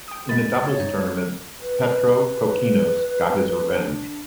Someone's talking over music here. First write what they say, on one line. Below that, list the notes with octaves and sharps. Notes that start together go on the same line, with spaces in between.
In the doubles tournament, Petrokokkinos got his revenge.
G5 D#6
F2 G#3 B5 A6
C#5
G2 D#4
B4
B4
D4